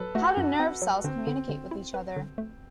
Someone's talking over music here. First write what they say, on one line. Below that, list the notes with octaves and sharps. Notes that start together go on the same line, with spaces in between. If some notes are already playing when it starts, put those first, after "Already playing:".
How do nerve cells communicate with each other?
Already playing: F#3 A4 B4
A3 F#4
F#2
C4
F#3
D3 C4
D3
D3
E4
B4
D3
A3